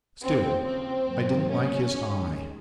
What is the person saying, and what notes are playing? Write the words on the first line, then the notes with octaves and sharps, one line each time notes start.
Still, I didn't like his eye.'
D#2 C#3 F3 C4
C4
G#2 F#3 A#3
C#4
D#2 D#3 G#3